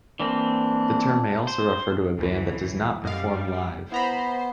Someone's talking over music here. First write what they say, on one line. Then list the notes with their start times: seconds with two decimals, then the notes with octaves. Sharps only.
The term may also refer to a band that does not perform live.
0.20 E3 A#3 C4 D4
1.47 C5
2.18 D2 E3 F#3
3.04 F#2 G3 D#5 F5
3.92 B3 E4 C5 A#5 B5